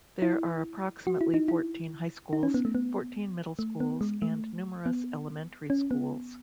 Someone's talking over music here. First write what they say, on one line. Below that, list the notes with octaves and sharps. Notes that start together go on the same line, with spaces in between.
There are approximately fourteen high schools, fourteen middle schools, and numerous elementary schools.
E4
F#4
E4
D#4
E4
D#4
C#4
B3
A3
B3
A3
B3
G#3
A3
B3
C#4
B3